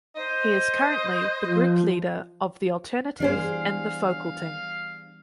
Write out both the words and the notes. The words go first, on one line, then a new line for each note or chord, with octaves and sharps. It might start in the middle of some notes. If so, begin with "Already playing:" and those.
He is currently the group leader of The Alternative in the Folketing.
C5 D#5
F3
E3 G3 B3 D4 G#4 C5 F5